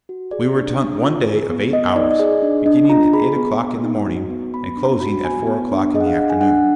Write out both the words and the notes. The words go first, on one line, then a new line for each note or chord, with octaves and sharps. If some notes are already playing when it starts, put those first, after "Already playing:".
We were to hunt one day of eight hours, beginning at eight o'clock in the morning, and closing at four o'clock in the afternoon.
F#4
G#4 D5
D4
D4
F4
G#4
B3
B3 D#5
D#4 D5
D#5
G#4 D5
D4
D4 D#5
F4 A#5
G#4 B5
B3
B3
D#4
F#4
B3
B3 B5
D4
F#4 B5
B3 G#5
B3
D4
G#4 D#5
F#5
F5
D4 F#5
G#5
D4 F#5